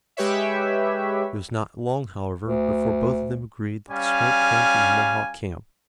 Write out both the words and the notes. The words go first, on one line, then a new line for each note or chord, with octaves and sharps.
It was not long, however, before both of them agreed that the smoke came from the Mohawk camp.
G#3 G4 B4 C#5 E5
D2
G3 C#4 F5 G#5